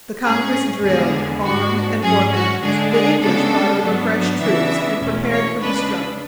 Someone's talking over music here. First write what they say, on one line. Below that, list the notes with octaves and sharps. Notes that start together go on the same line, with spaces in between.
The Congress drilled, armed, and organized; the English brought over fresh troops and prepared for the struggle.
A2 G#3 C#4 G#4
E2 D3 G#3 B3 G#4
G#2 G#3 D4 F#4
G#2 F#3 C#4 G#4
F#4
D3 G#3 D4 G#4
G#4
C#3 G#3 B3 D4 A4
G#2 F#3 B3 D4
C#3 E3 B3 D4 E5
E2 B2 A3 C#4
C#5
C#3 G#3 D4 B4